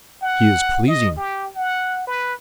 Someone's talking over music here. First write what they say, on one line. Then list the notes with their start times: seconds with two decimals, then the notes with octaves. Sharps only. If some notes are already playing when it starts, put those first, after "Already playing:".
He is pleasing.
0.22 F#5
0.88 D#5
1.17 G4
1.55 F#5
2.07 B4